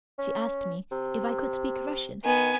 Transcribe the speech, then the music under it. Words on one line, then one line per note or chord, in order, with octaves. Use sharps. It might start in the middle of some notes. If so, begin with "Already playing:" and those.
She asked me if I could speak Russian.
C#4
C3
D#3 B3 G#5